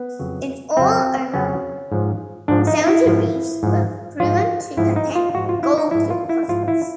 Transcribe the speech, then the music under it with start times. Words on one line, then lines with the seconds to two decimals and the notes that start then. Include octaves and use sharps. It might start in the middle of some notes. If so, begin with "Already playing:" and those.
In all, over seventy reefs were proven to contain gold deposits.
Already playing: B3
0.19 F2 C#3 F#3
0.77 F2 C#3 F#3 C4
1.34 F2 C#3 F#3 C#4
1.92 G#2 F3
2.48 G#2 F3 D4
2.67 D#4
2.87 E4
3.06 G#2 F3
3.63 G#2 F3
4.20 G#2 F3 F4
4.77 G#2 F3 E4
4.96 D#4
5.16 F4
5.35 G#2 F3 F#4
5.49 F4
5.63 E4
5.78 D#4
5.91 G#2 F3 E4
6.10 F4
6.29 E4
6.48 G#2 F3 F4
6.68 E4